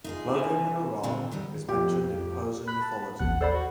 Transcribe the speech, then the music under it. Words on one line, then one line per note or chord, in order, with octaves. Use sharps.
Clothing in Iran is mentioned in Persian mythology.
D#4 F4 G#4
C2 E5 G#5
A#2 D3 C4
D3 D#3 G3
F2 G4
B5 F#6
A5
A1 D#2 F#5 F#6
A4 C5 D5 B5
F#4